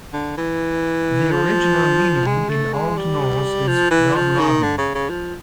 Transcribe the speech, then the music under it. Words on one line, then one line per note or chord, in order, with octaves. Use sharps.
The original meaning in Old Norse is "God-loving".
D3
E3
F3
G#3
A3
G#3
G3
F3
E3
F3
D#3
D3
C#3
C#3
F3